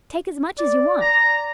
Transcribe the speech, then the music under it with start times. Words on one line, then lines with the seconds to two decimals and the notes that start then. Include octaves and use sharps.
Take as much as you want.
0.59 D5
1.01 A#5